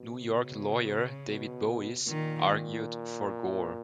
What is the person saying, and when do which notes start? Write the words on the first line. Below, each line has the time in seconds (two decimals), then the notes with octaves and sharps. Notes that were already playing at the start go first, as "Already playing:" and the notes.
New York lawyer David Boies argued for Gore.
Already playing: B2
0.09 C#3
1.28 B2
2.07 A#2 D#3